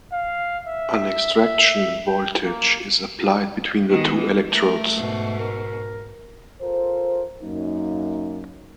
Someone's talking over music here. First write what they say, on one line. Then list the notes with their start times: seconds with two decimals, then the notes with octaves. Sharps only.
An extraction voltage is applied between the two electrodes.
0.12 F5
0.67 E5
1.34 E5
2.07 G5
2.44 A#3
3.89 D#3 G#3 B3
4.17 E3
4.49 A3 A#4
4.97 G#2 B2
5.38 A#4
6.61 F4 A4 A#4 C5
7.42 F#2 A#3 D#4